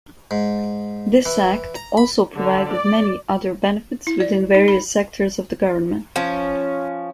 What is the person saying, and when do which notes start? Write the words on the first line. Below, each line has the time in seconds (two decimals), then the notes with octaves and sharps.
This act also provided many other benefits within various sectors of the government.
0.31 G#2
1.26 E3
1.75 A#5
1.97 B5
2.36 D3
2.71 D5
4.07 E4
4.20 D5
4.55 D#4
4.68 B5
6.16 F3 C#4